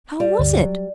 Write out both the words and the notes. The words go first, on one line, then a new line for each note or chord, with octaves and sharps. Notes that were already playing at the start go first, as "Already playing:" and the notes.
How was it?
G3
D2 G2 D3
F#3